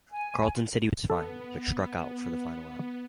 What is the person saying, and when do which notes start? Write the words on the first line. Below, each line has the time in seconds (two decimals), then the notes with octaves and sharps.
Carlton said he was fine, but struck out for the final out.
0.11 G#5
1.10 B3 A4